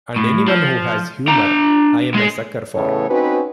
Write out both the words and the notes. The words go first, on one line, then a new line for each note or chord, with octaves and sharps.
And anyone who has humor I'm a sucker for.
A2
F3
D4 A#5
G#3 G#4
E2 A2 C#3 A3 B4 C#5
C4 C#4 D#4 F#4 B4